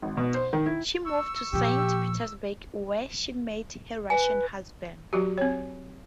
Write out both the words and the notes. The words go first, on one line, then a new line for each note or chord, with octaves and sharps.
She moved to Saint Petersburg where she met her Russian husband.
G#1
B2
C5
D#3
E4
C#6 E6
A#2 F3 G4
B4 G#5
F#3 F#4 G4
C4 C#5